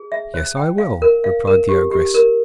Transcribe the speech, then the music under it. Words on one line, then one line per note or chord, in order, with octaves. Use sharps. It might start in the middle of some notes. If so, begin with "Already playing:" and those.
'Yes, I will,' replied the ogress.
Already playing: G#4
E5
C5
G5
F5
A#4
F5
A#4
G4
G4
A#4